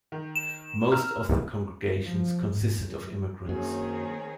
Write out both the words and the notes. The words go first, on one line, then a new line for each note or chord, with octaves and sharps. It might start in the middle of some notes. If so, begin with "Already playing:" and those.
Most of the congregations consisted of immigrants.
D#3
E7
A#5 E6 F6
F3
G#2
F#2
F#2 D#3 A#3 C4 G#4 C#5